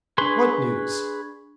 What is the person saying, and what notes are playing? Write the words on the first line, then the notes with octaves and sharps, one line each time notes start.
"What news?"
D4 G#4 B4 C6 C#6